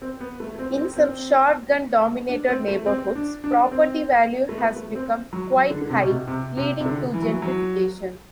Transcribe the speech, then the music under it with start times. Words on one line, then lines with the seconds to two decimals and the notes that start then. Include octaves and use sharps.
In some shotgun-dominated neighborhoods, property value has become quite high, leading to gentrification.
0.02 C4
0.20 B3
0.40 A3
0.59 C4
0.77 C4
0.96 C4
2.29 D4
2.49 C4
2.68 A3
2.86 C4
3.16 D4
3.44 D4
3.71 C4
4.49 A3
4.58 B3
4.76 A3
4.95 C4
5.33 F#3
5.52 F#3
5.70 D3
5.82 D3
5.90 C3
6.02 B2
6.09 C3
6.27 C3
6.57 C3
6.80 C3
6.85 D3
7.14 E3
7.22 F#3
7.32 E3
7.42 F#3